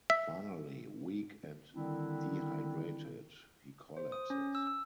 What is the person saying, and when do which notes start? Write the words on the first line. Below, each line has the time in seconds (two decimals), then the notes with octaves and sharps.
Finally, weak and dehydrated, he collapses.
0.10 E5
1.74 D3 D#3 G3 C4 D4 E4
3.97 C5
4.12 D#6
4.30 C#4
4.55 E6
4.67 E6